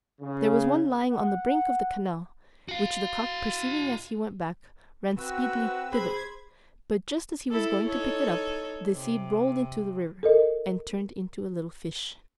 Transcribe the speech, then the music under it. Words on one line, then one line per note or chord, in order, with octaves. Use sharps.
There was one lying on the brink of the canal, which the cock perceiving as he went back, ran speedily thither; but just as he was going to pick it up, the seed rolled into the river, and turned into a little fish.
C#3
F#5
F#4 F5
C4 F#4 B4 E6
B2 G#4 C5 B5 G#6
E4 A4
D#4 A4 C#5
C3
A4 A#4 D#5